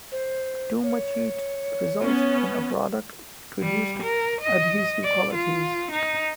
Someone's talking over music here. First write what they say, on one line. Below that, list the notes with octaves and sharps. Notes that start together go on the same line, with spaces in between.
Too much heat results in a product with reduced adhesive qualities.
C5
C#5
B3 C#4
G3
A#4
D#5
D5
F4
D#4